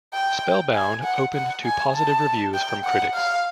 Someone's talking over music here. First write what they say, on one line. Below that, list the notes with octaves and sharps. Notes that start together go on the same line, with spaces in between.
"Spellbound" opened to positive reviews from critics.
G5
G#5
F#5
F#5
G#5
A5
G5
F#5
F5